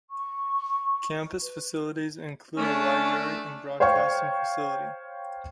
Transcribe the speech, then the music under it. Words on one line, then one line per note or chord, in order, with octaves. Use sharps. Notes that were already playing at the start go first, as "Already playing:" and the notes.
Campus facilities include a library and broadcasting facility.
C#6
B4
A3 C#4 D4
C5 C#5 F5 G5 C#6